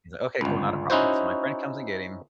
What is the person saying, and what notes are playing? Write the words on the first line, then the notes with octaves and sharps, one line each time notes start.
He's like, "Okay, cool, not a problem." So my friend comes and get him,
G1 C#2
C#4 D#4 E4 F#4 C5